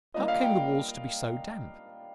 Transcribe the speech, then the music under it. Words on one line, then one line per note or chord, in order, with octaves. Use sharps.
How came the walls to be so damp?
G3 A#3 D4 F4 D#5
F5
G5